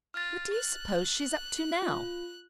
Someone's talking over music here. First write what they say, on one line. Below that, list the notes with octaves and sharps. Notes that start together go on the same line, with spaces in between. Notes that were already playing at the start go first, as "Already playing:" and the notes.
"What do you suppose she's up to now?"
F4 F6 A6
F#6
F4